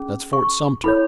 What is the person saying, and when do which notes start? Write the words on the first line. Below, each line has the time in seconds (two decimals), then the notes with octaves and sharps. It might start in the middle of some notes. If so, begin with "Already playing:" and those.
That's Fort Sumter.
Already playing: C#4 G#4
0.33 C#6
0.84 E4 A4 C#5 B5